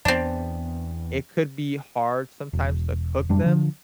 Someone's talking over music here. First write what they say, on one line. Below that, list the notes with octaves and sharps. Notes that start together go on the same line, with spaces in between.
it could be hard sometimes to cook them
E2 B3 C4 D4
E1
F1 F#2 G3 D4
D3 F3